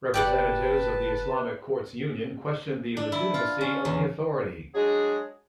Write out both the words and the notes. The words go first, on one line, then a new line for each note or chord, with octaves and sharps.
Representatives of the Islamic Courts Union questioned the legitimacy of the authority.
F#1 G4 B4 D5 F#5 A5
D4
E4
F4
C#4
E2
F#3 G#3 D4 G#4